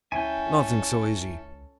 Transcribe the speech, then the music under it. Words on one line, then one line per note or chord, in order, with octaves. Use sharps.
Nothing so easy!
C#2 C#4 E4 A4 G5 G#5